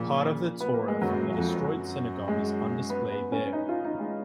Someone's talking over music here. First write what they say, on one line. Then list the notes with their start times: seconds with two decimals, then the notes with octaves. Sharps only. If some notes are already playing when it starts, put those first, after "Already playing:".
Part of the Torah from the destroyed synagogue is on display there.
Already playing: A#2 C#3 F3
0.60 B3
0.74 A#3
0.88 G#3
1.02 F#2 F#3
1.34 F2
1.64 F#2 F#3
2.28 G#3
2.90 B3
3.12 B3
3.32 C#4
3.53 D#4
3.69 F4
3.85 D#4
4.00 G#3